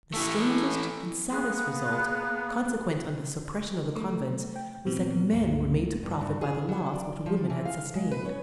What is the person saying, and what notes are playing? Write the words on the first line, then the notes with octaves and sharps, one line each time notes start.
The strangest and saddest result, consequent on the suppression of the convents, was that men were made to profit by the loss which women had sustained.
E3 A3
A#3 B3 G#4 F#6
A3
G5
A#2 E3 B3 C4
C#2 G2 A3 A#3
G2
G2
G#4
F#3
D5
F3
E3
F5
G#3
B4
C#4